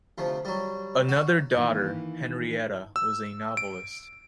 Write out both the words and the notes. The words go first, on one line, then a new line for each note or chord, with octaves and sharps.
Another daughter, Henrietta, was a novellist.
D2 C3 F3
F#3 G3
F#4
D#3 E3 A#3
E6
D7